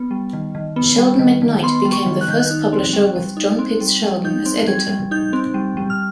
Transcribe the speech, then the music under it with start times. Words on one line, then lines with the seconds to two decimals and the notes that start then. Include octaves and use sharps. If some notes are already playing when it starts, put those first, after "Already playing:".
Sheldon McKnight became the first publisher with John Pitts Sheldon as editor.
Already playing: B3
0.11 G3
0.33 D#3
0.55 D#3
0.76 B3
0.98 G3
1.19 D#3
1.42 D#3
1.63 B3 C6
1.85 G3
1.92 C#6
2.06 D#3
2.21 F#6
2.28 D#3 G6
2.40 F#6
2.51 D#4
2.73 C4
2.93 G3
3.16 G3
3.37 D#4
3.59 C4
3.81 G3
4.03 G3
4.24 D#4 G6
4.46 C4
4.67 G3 G#6
4.89 G3
5.11 D#4 G6
5.33 C4
5.54 G3
5.77 G3
5.90 F6